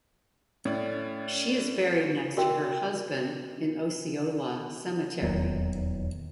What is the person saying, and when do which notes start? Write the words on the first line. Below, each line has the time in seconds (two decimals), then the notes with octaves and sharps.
She is buried next to her husband in Osceola Cemetery.
0.65 A2 C#4 D5
2.37 F#4 A#4 E5 G5
5.22 D#1 E2 D#3 F#3